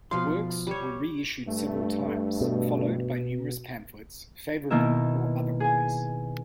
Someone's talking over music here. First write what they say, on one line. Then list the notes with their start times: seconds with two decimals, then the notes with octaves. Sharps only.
The works were re-issued several times, followed by numerous pamphlets, favorable or otherwise.
0.11 B2 F3 F5 C6
0.67 G3 C#5
1.47 G2 A3
2.41 B2
4.70 B2 D#3 A#3 E4 A#4 E5
5.60 G#4 G#5